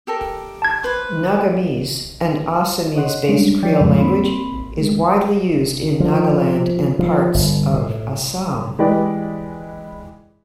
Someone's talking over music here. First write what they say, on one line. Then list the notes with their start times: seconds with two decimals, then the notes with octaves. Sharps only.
Nagamese, an Assamese-based Creole language is widely used in Nagaland and parts of Assam.
0.07 G4 A4 A#4
0.62 A5 G#6
0.83 B4 C5 D6
2.95 C#5 D#5 F#5 C6
3.29 G3 G#3 C#4 D4
3.63 F3 C#5 D5 G5 A6
3.81 F2 A2 C#3 F3 G#3
3.99 A#3 C4 B5 C6
4.78 G#3 A3
6.00 F3
6.99 F3
7.34 G1
7.74 A2
8.79 E3 G#3 G4 B4 D5